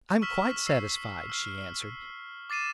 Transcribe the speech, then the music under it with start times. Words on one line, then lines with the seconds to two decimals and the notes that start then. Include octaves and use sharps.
"I'm quite satisfied," she answered.
0.22 C#6 E6 F6 B6 E7
0.66 E6 C7
1.30 E6 F6 C7
2.50 D6 A6 C7 D#7 E7